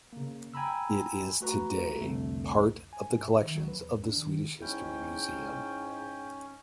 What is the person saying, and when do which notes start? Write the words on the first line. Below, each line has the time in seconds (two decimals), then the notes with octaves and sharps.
It is today part of the collections of the Swedish History Museum.
0.13 C#3 A#3
0.54 G5 G#5 A#5 B5 E6
1.41 A3 F#4 B4 A#5
2.01 C2 F2 D3 A3
2.93 G#5
3.10 G#2
3.23 E5
3.42 D#3
3.55 F#3
3.68 B4
3.79 E2
4.03 D4
4.18 D#3
4.62 G#2 C#4 E4 G5